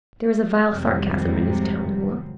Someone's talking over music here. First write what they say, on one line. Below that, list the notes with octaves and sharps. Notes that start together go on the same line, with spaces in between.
There was a vile sarcasm in his tone and look.
F2 G#2 C3 D#3 F#3 G3